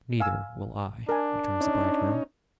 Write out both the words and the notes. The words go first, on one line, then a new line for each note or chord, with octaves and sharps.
'Neither will I,' returns the bridegroom.
F5 G#5 E6
D4 A#4 G#5
C#4 D#4